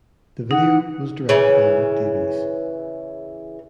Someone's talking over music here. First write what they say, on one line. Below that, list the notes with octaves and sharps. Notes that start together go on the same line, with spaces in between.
The video was directed by Luke Davies.
D#4 F#5
C#3 E3